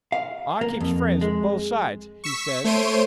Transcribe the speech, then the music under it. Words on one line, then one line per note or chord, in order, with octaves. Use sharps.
"I keeps friends with both sides," he said.
F5
A#3
F2
G#3
C#6 E6 B6
A3 C5 C#5 C6 D7 D#7